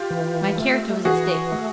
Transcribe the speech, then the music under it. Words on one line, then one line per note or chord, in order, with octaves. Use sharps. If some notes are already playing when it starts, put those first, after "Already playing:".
My character was at stake.
Already playing: F4 G4
E3
A3
E3 F#4 G#4
A3